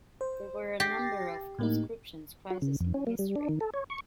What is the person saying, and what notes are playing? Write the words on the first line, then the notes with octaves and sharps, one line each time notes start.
There were a number of conscription crises in history.
C5
G4 A6 A#6 C7
A2 A#3 D#4
F#4
C#3
F2
C#4
A#3
G3
D4
D#3
A4
C#5
C#6